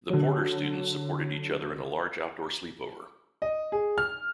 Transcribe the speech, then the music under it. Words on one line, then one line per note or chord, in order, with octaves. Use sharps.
The Porter students supported each other in a large outdoor sleepover.
D3 F#3
D#5
G#4
F6